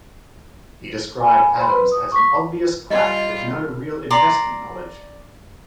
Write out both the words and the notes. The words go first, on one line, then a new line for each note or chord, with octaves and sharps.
He described Adams as an obvious quack with no real investment knowledge.
G#5 B5
C5 B5 C6
B4
D#6
C#6 D6 B6
G3 F4 D#5 G#6
D5 A#5 C6